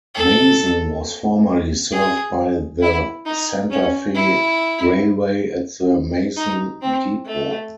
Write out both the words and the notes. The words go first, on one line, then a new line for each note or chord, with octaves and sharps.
Mazon was formerly served by the Santa Fe railway at the Mazon Depot.
A4
G#4
E4
D#4
C#4
E4
D#4
C4
A3